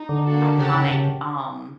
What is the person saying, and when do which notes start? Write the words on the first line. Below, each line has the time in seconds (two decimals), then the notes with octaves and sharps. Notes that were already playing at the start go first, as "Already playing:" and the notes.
iconic, um.
Already playing: D#4
0.09 D3
0.25 A#3 D4 F#4 A4
0.58 C#3 G4 A#4 C#5 F#5 A5
0.74 C#3
0.91 C#3